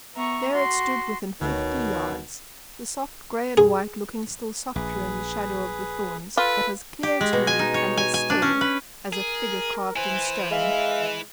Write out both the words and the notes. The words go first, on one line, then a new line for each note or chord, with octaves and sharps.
There it stood within fifty yards, the soft grey-and-white looking still softer in the shadow of the thorns, but as clear to me--and as still--as a figure carved in stone.
B3 E5 A#5 C#6
F#4 C6
D2 B2 D#3 C#5
G#4
A#1 G#4 B4
F4 A4 B4
G4
G#3
B2
G#5
D#4
C#5
G#5
G#5
D4
C#4
B4
G#4 A#4
E4 B4 C5 G#5
G#3 E5 F5